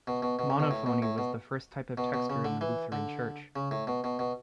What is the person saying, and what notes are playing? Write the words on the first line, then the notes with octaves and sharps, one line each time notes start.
Monophony was the first type of texture in the Lutheran Church.
B2
B2
B2
C#3
B2
A2
B2
A2
B2
B2
B2
C#3
D3
E3
D3
C#3
A2
B2
B2
B2